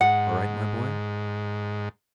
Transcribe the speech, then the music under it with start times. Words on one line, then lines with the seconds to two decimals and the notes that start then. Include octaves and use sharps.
All right, my boy!
0.01 G#2 F#5